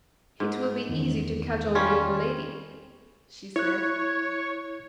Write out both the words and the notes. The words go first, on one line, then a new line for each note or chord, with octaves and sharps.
"It will be easy to cajole the old lady," she said.
G#2
E2 D#3
G3 C#4 F4
E4 C#5 F#6